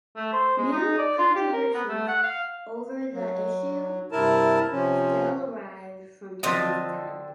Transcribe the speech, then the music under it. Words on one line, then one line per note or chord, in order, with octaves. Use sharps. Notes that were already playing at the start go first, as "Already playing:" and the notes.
New controversies over the issue still arise from time to time.
A3
C5
G#3
D#4
D5
F4
G4
A#4
B3
A3
F#5
F5
F#3
G2 C3 E4 A#4 A5
C3 F3 C#4
D3 F3 C4 D#5 A5